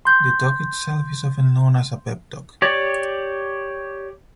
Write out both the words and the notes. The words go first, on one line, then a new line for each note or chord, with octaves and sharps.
The talk itself is often known as a pep talk.
C6 G6
G4 C#5 D5